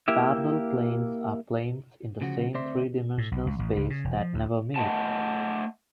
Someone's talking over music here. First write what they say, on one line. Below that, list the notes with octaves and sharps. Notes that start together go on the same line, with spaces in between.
Parallel planes are planes in the same three-dimensional space that never meet.
A#3 E4 G4 E5
D2 C#3 F3 F#4
D2 C4 C5 D5 E5 C6
A2
B1
C#2
A1
C#2
C#3
E1
F3
D2
A3 D#5 F#5 G#5 A5